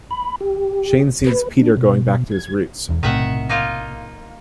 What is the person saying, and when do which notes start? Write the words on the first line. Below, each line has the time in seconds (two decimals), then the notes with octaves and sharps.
Shane sees Peter going back to his roots.
0.11 B5
0.41 G4
1.27 B4
1.59 D4
1.77 B2
2.32 G#6
2.89 E1 E2
3.03 B1 A2 C3 D#3 E5 F#5
3.49 A#3 D#4 F4